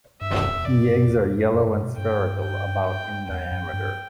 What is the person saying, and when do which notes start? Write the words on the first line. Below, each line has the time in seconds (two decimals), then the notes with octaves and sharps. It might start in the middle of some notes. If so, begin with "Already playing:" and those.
The eggs are yellow and spherical, about in diameter.
0.21 G2 E5
0.43 F#2
0.58 E2
0.65 F#2 D5
0.87 G2
1.04 F#2
1.08 E2
1.31 F#2
1.53 F#2
1.62 A2
1.68 G2
1.83 B2
1.97 G2 G5
2.20 G2
2.41 G5
2.86 G5
3.29 E2 G5
3.51 F#2
3.73 G2